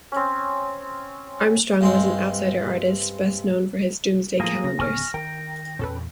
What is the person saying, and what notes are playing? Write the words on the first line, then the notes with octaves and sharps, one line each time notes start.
Armstrong, was an outsider artist best known for his doomsday calendars.
C4 C#4
G2 G#3 C4
A2 F3 A#3 G#4 A#6
C#3 A#6
D1 B3 G#5 C#6 F6
D#3 A#4 G5
E2 A#2 C#4 A4 B4